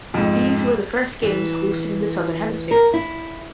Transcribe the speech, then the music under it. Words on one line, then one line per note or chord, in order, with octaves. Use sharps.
These were the first Games hosted in the southern hemisphere.
F2 G#2
E3
A#4
E4